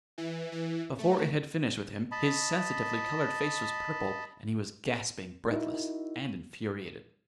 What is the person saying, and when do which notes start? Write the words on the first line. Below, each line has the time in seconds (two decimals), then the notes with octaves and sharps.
Before it had finished with him, his sensitively coloured face was purple, and he was gasping, breathless--and infuriated.
0.18 E3
0.52 E3
0.98 A3
2.12 D#5 A5 B5
5.50 D#4 E4 F#4 A#4 E5
6.25 D#7